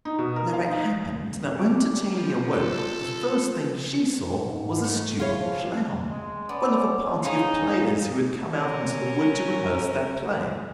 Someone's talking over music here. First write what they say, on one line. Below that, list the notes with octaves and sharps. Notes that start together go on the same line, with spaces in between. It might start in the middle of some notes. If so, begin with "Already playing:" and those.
Now, it happened that when Titania woke the first thing she saw was a stupid clown, one of a party of players who had come out into the wood to rehearse their play.
D#4
B2
A#4
F5
D#4
G3 C#4 D6
F3
A4
G#2
A3
E4 F4 G#4 C#5
F3
G#3
B3 C#4 D5
D#4 G#4 F5 G#5
C#4 A#4